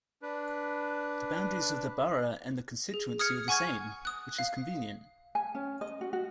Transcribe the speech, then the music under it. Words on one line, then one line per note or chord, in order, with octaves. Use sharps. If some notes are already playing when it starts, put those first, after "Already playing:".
The boundaries of the borough and the constituency are the same, which is convenient.
D4 B4
G#4
D#6 F6 G#6 C#7
F#5 G#5 C#6 F6 G#6
D#6 F#6
F5
G#5
C#4
D#5
F#4
F#4